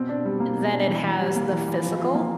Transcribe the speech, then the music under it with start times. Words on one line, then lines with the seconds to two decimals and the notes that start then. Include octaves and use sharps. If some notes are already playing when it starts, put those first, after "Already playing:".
Than it has the physical.
Already playing: B2 C4
0.09 D4
0.25 G3
0.40 A#3
0.57 B2
0.72 D4
0.88 E3
1.04 E3
1.20 G3
1.36 A#3
1.52 E3
1.68 E3
1.83 F3
1.99 F4
2.15 A#3